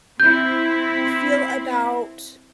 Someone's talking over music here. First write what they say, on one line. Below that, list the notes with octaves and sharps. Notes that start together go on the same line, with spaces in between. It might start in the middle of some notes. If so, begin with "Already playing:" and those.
feel about
C4 E4 G6